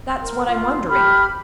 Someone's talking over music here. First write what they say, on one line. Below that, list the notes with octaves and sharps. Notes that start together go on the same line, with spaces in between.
That's what I'm wondering.
A#4
F4
G4 B5 F6